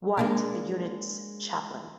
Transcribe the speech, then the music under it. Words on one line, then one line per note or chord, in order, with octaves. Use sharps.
White, the unit's Chaplain.
G#3 A#3 D4